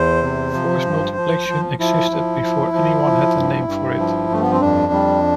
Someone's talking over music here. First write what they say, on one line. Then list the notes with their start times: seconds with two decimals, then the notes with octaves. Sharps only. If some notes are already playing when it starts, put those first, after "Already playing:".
Force multiplication existed before anyone had a name for it.
Already playing: E2 C5
0.23 C3
0.54 F3
0.85 G2
1.17 F3
1.48 F3
1.79 F3 E4
2.11 F3
2.42 F3
2.74 F3
3.05 F3
3.36 G2
3.67 G2
3.98 F3
4.30 G2 A3
4.42 B3
4.52 C4
4.61 F2 D4
4.93 G3